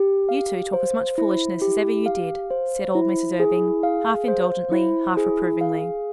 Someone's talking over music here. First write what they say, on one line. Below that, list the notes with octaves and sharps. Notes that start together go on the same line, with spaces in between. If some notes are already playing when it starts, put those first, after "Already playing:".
"You two talk as much foolishness as ever you did," said old Mrs. Irving, half-indulgently, half-reprovingly.
Already playing: G4
F5
C5
E4
G4
F5
C5
E4
G#4
F5
C5
E4
G#4
F5